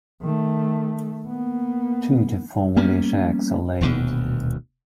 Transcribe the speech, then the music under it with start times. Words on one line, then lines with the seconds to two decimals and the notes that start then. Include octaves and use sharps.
Two to four whitish eggs are laid.
0.22 D#3 A3
1.27 A#3 B3
2.77 G3 A#3 B3 C#4
3.81 D#1 A1 D2 B2